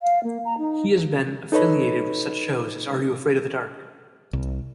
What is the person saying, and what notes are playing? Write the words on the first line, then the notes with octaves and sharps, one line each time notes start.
He has been affiliated with shows such as Are You Afraid of the Dark?
F5
A#3
A#5
D#4
D#4 A4 B4 C#5 D#5 B5
C2